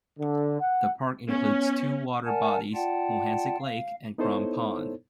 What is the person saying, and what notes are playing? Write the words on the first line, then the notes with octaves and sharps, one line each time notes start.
The park includes two water bodies, Mohansic Lake and Crom Pond.
D3
F#5
B3 C#4
A#4 D5 F#5 G#5 A5
F4 D5 F#5 G5 A5
F5
B3 D#4 E4 A4 C5 C#5